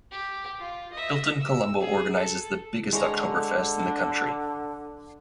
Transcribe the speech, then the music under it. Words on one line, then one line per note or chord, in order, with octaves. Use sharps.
Hilton Colombo organises the biggest Oktoberfest in the country.
G4
F4
D#5 E5
E6
G#4
A4
D3 G#3 C#5 A#5
D4